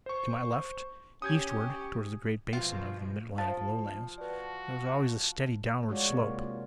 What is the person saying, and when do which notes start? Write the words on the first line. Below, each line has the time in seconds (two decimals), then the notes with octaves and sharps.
To my left, eastward toward the great basin of the mid-Atlantic Lowlands, there was always a steady downward slope.
0.06 C5 C#6
1.22 C#4 G4 D#6 G6 G#6
2.53 B2 F3 G#3 F4
3.38 F3 F5 A5 A6
4.18 F#4 B4 D5
5.89 G#3 F4 F#4 C#5 D5
6.10 C3 A#3 F4
6.43 F4